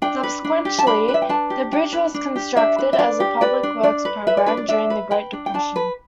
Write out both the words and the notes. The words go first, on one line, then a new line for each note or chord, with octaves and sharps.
Subsequently the bridge was constructed as a public works program during the Great Depression.
D4 G5
B4
D4
G4
A5
D4 B5
B4
E5
G5
D4 A5
G4
D4 G5
B4
D4
G4
D4 E5
B4
E5
D4 D5
G4
B4 D5
D4
D4 D5
B4
B4 E5
D5
D4 B4
D5
D4 E5
B4
B4 G5
D4
G5
D4 A5
B4